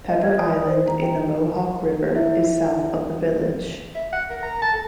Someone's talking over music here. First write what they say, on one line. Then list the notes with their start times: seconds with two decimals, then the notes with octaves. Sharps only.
Pepper Island in the Mohawk River is south of the village.
0.09 D#5
0.23 G#6
0.38 D#6
0.53 D5
0.67 C5
0.88 A#5
1.02 G5
2.15 E4 E5
3.95 E5
4.12 F#5
4.30 A#4
4.43 A#5
4.62 A5
4.73 A4